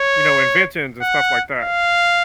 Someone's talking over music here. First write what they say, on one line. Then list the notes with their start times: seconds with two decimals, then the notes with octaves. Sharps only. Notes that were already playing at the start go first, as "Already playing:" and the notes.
you know, inventions and stuff like that.
Already playing: C#5
1.02 F#5
1.59 F5